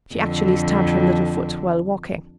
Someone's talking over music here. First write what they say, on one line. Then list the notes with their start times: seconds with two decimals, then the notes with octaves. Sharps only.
She actually stamped her little foot while walking.
0.14 F2 D3